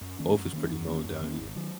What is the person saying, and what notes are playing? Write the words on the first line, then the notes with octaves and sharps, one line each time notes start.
both is pretty known down here.
F#2
D#3 A#3 C#4
F#2
D#3 A#3 C#4
F#2
D#3 A#3 C#4
F#2
D#3 A#3 C#4
G#1
D#3 F#3